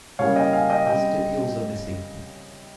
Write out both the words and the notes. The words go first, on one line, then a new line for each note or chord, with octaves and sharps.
Stipules are missing.
C#3 G3 A#3 C#4 C#5 F5
D#5 G5
F5 G#5
D#5 G5
C#3 G3 C4 D#5 G5